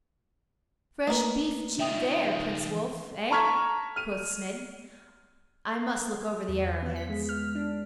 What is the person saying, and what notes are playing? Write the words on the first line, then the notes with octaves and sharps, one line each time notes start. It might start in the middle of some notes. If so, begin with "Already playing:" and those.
'Fresh beef cheap there, Prince Wulf, eh?' quoth Smid; 'I must look over the arrow-heads.'
A3 A#3 A#4 B4 D5 D#5
F3 D#4 E5 G5 D#6
A5 A#5 C#6 F6 G#6 B6
F6 D#7
E2
B3
B6
G#3
F6
D4